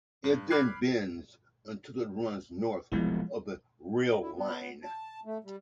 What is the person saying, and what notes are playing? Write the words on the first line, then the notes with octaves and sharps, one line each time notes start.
It then bends until it runs north of the rail line.
G2
B5 D6 F6 F#6 G#6 C7
E1 C2 F3 G#3 B3 E4
D#4
E4
B3
A5
A3
G3